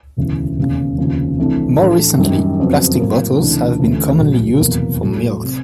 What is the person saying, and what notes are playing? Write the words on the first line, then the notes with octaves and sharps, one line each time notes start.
More recently, plastic bottles have been commonly used for milk.
E1 D2 C#3 E3
E1 D#2 C#3
F1 D#2 C#3 F3
C2 C3 E3 A3 D4
A2 E3 A3 D4
F#2 D#3 G3
F2 C#3 F#3 B3
A2 F#3 A#3
C#2 C3 E3 A3 D4
D2 C#3 E3 A3
A#1 A#2 F#3 A3
F1 E2 B2 F#3 A#3
A2 F#3 A3
C3